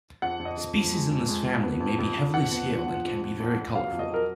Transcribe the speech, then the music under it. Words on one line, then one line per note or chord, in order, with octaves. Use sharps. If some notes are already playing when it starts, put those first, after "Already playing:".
Species in this family may be heavily scaled and can be very colourful.
F2 F#5
F2
D#5
F2
F2
G#3
F2
G#3
F2
B3
F2
F2
F2
F2 F#5
B3
F3
F3
F2
F2
F2
F2
F#3 F5
F2
D#5
F#3 A#4